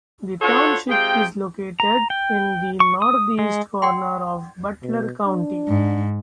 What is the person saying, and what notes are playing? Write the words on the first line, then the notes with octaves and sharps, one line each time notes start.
The township is located in the northeast corner of Butler County.
D4 F4 F#4 A4 C5 C#5
C3 G#3 F4 G#4 G5
A#5
G5
C#6
D#6
G#3
D5 F#5 G5 C6
B2
D4
G#2